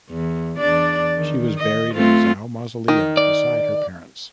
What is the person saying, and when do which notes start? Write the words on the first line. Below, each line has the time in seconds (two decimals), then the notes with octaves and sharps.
She was buried in Zhao Mausoleum beside her parents.
0.11 E2
0.58 E2 D4 D5
1.16 D#3
1.58 D#5
1.94 A3 C4 F4
2.88 D#3
3.17 D5